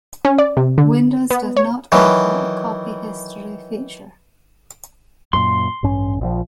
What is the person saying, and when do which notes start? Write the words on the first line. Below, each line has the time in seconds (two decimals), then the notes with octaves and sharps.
Windows does not offer a copy history feature.
0.25 C#4
0.38 D5
0.57 C3
0.78 D3
1.30 B3
1.56 C#5
1.92 D#3 E3 F#3
5.33 F#2 A#2 C6
5.83 A1 G2 C#4
6.21 A#1 F3